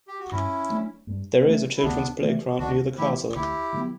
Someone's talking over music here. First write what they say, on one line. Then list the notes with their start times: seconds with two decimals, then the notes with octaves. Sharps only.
There is a children's playground near the castle.
0.08 G4
0.20 F#4
0.31 G2 C#4 E4
0.69 F#3 A3 D4
1.07 G2
1.46 F#3 A3 D4
1.77 E4
1.83 D2 B3 D4
2.21 C#3 E3 A3
2.59 D2 D4 F#4
2.97 C#3 E3 A3 E4 G4
3.35 D2 E4 G4
3.73 D3 F#3 B3